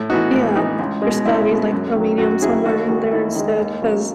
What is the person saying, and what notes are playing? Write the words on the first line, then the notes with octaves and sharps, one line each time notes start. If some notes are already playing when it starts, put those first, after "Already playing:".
Yeah, there's gotta be like a medium somewhere in there instead 'cause
Already playing: A2
E3 B3 D#4 F#4
A2
E3 B3 D#4
C#2
B2 G#3
C#2 E4
B2 G#3
F#2
D#3 F#3
F#2 F#4
D#3 F#3 E4 G#4
D#2 F#4
D#3 G#3 F#4
D#2 E4
D#3 G#3
D#2
C#3 F#3